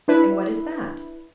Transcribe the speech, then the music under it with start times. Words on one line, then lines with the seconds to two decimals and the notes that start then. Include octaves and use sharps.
"And what is that?"
0.08 D4 E4 B4